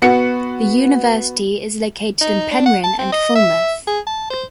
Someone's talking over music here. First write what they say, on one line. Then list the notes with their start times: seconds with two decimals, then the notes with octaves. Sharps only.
The university is located in Penryn and Falmouth.
0.02 B3 F#4 C#7
2.21 D#4
2.51 D4
2.66 F#5
2.84 A5
2.99 C4
3.12 D#5
3.36 E5
3.87 G#4
4.07 A5
4.30 C5